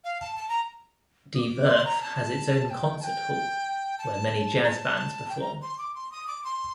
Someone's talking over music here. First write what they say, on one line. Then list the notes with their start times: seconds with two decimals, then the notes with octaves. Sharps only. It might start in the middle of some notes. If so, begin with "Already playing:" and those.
De Werf has its own concert hall where many jazz bands perform.
0.04 F5
0.21 A5
0.37 A5
0.49 A#5
1.35 D#6
1.39 D6
1.68 C6
1.85 A#5
2.01 A5
2.66 A5
2.70 G5
3.00 A5
3.04 G5
3.98 A5
4.63 A#5
4.68 A5
5.29 G5
5.40 A#5
5.62 C6
5.78 D6
5.95 C6
6.12 D#6
6.27 D6
6.44 C6